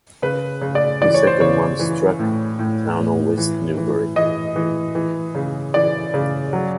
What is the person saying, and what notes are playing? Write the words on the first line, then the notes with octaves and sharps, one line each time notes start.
The second one struck the town of West Newbury.
C#3 B4
C#3
D5
E3 D5
C#5
C5
C#3 C#5
E3
A2
A2
A2
E3
E3
E3 D#5
E3
E3
C#3
E3 D5
C#3
F#3